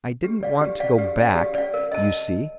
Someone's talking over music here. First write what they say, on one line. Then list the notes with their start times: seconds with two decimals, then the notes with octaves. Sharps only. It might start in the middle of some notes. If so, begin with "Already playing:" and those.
I didn't want to go back, you see....
0.24 G4
0.43 D5 F5
0.61 G4
0.80 D5 F5
0.98 G4
1.18 D5 F5
1.35 G4
1.55 D5 F5
1.74 A#4
1.92 D#5 A5